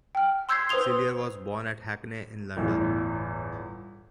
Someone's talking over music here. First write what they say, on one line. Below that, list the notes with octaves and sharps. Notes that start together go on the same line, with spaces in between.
Cellier was born at Hackney, in London.
G5 F6
C6 E6 G6 G#6 B6 C7
B4 C5 C6 D#6 F7 G7
G1 E2 A2